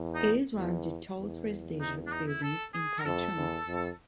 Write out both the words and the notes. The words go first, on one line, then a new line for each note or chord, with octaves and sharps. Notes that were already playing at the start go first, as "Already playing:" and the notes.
It is one of the tallest residential buildings in Taichung.
Already playing: E2
D#4
E2
E2
D#4
D4
D#4
E4
A4
G#4
A#4
F2 A4
E2
F2